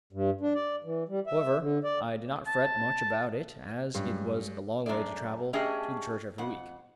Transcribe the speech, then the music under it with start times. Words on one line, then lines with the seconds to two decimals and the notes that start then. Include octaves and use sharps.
However I did not fret much about it as it was a long way to travel to the church every week.
0.13 G2
0.41 D4
0.55 D5
0.84 E3
1.09 G3
1.27 E5
1.60 D3
1.84 D5
2.47 A5
3.95 G2 F#3 G#3 C#4
4.86 F#2 G#3 A3 D5
5.53 A3 C#4 D4 G4 G#4 D#5
6.38 F2 F#5